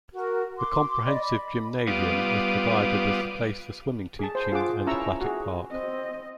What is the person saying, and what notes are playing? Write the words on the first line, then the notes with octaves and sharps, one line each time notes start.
The comprehensive gymnasium is provided as the place for swimming teaching and aquatic park.
F#4 A#4
C6 D6
D5 D#5 B5 D6
B5
G3 B3 F4 D6 D#6
G#4 A5
C5
F4 G#4 F#5 D6
C#4 E4 A5 A#5 C#6 E6
F#4 G#4
C4 D#5